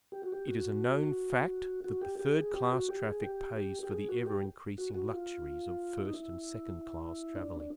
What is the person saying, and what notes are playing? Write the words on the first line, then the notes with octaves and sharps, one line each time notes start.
It is a known fact that the third class traffic pays for the ever-increasing luxuries of first and second class travelling.
G4
F#4
G4
F#4
F#4
G4
G4
G#4
G4
F#4
G4
G#4
G4
G4
G4
G#4
F#4
G4
F#4
F#4
F4
E4
D#4
E4
D4
D4